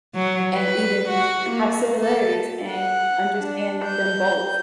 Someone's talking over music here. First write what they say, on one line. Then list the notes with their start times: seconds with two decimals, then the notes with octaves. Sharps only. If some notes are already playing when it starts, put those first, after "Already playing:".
and even have similarities and understand them both,
0.15 F#3
0.54 B4
1.09 F#4
1.50 A#3
2.02 A4
2.71 F#5
3.38 D4
3.85 G6